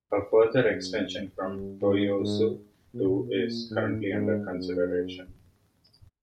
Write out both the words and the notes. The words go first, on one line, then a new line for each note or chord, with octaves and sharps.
A further extension from Toyosu to is currently under consideration.
F#2
G2
G#2
G#2
B2
A#2
A2
G#2
F#2